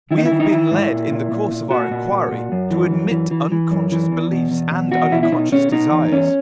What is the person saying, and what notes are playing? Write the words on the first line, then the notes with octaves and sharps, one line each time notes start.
We have been led, in the course of our inquiry, to admit unconscious beliefs and unconscious desires.
D#3 E4
D#4
E4
D#3
D#4
D#3 E4
G#2
A#2
A#2
A#2
A#2
A#2 F#4
A#2
A#2
A#2
F#2
E3
F#2
E3
E3
E3
F#2
E3
E2
B2
E2
B2
E2 F#4
B2 E4
E4
B2 D#4
B2 C#4
B2 D#4
E2
E2 C#4